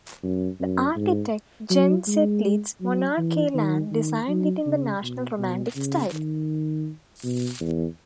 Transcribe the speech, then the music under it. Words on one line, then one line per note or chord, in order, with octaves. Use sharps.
The architect, Jens Zetlitz Monrad Kielland, designed it in the National Romantic style.
F#2
F#2
G#2
F#3
G#3
F#3
E3
D#3
D#3
F#3
C#3
B2
B2
C#3
D#3
B2
E2